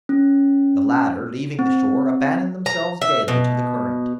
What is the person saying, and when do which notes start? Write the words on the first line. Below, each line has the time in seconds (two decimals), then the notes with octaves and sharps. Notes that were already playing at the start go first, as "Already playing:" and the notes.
The latter, leaving the shore, abandoned themselves gaily to the current.
0.09 C#4
1.59 C4
2.66 A#5
3.01 E5
3.28 B2